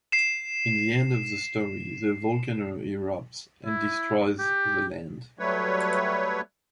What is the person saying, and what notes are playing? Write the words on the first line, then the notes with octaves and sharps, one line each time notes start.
In the end of the story the volcano erupts and destroys the land.
C7 E7
E4
G4
F#3 G3 A3 B4 C#5